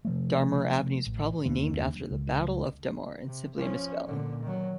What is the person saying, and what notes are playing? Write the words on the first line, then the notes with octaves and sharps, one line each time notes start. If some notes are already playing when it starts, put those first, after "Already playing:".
Darmour Avenue is probably named after the Battle of Damour and simply a misspelling.
C3 F3 A3
A1
F#1 D#2 D3 A#3
C#2
C3
F3 C#4
A#2 D3
D#3 F#3